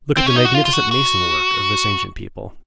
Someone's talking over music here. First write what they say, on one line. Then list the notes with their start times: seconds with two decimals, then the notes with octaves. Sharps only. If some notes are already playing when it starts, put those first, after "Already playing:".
Look at the magnificent mason-work of this ancient people!
0.17 C4
0.26 C#4
0.36 D#4
0.45 F#4
0.54 F4
0.65 F4
0.73 F#4
0.91 F#4